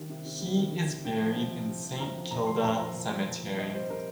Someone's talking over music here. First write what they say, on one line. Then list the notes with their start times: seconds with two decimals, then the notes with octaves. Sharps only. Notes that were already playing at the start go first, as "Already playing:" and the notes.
He is buried in Saint Kilda Cemetery.
Already playing: D#3 G3
0.10 C3
0.26 C3
0.40 G3
0.56 D#3
0.72 C3
0.88 C3
1.05 C3 G5
1.20 F3
1.36 C3
1.52 F3
1.68 C3
1.83 F3
2.00 C3 A#5
2.16 F3
2.31 A#2 A#5
2.46 F3 C6
2.63 A#2 A#5
2.79 F3 A#5
2.94 A#2
3.10 F3
3.27 A#2
3.43 F3
3.58 C3 D#5
3.73 G3 C5
3.90 C3 A#4